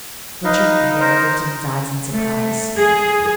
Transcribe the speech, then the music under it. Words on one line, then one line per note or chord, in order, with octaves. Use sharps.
Richard Hare lifted his eyes in surprise.
D#4 B4 D#5 F5
A#4 C5 A#5
A3
G#4